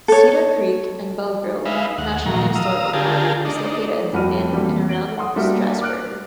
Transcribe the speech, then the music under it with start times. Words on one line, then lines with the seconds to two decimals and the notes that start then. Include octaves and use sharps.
Cedar Creek and Belle Grove National Historical Park is located in and around Strasburg.
0.08 A4 C#5
1.65 G#3 D#4 B4 E5 F5
1.98 D#2 F#5
2.26 A#2 D#3 F3 F#3 A#5
2.55 F5 A#5 D#6 E6
2.93 D3 F4 G4 G#4 A#4 A5
3.45 D4 D#4
4.13 F2 G3 F#4 B5 F6 D#7
4.53 E3 G3 A3 A#3 C4 F#4
4.89 D7 F#7 G7
5.18 F#5 C6 D#6
5.36 G3 A#3 D4 F#4 A#4 E5
5.81 D6 F6 F#6 D7